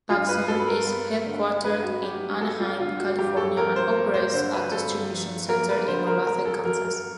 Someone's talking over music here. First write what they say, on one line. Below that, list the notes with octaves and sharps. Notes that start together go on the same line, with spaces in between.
PacSun is headquartered in Anaheim, California and operates a distribution center in Olathe, Kansas.
G2 F4
B4
F#3 A4
B4
A#4
B3
D3
G2 B4
F#4
F#3 G4
B3 A4
F4
D3 F4
F#4
G2 G4
A4
F3 A#4
C5
A#3
C5
D3 C5
B4
G2 A4
F3
A#3 A#4
B4
D3 C5
A#4
F#2 A#4
A4
F#3 A#4
A#4